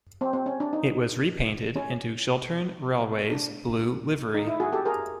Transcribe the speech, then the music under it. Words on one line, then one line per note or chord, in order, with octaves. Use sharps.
It was repainted into Chiltern Railways blue livery.
C4
C4
C#4
D4
D#4
C#4
D4
D#4
E4
F#4 G#4
G4 A4
G#4 A#4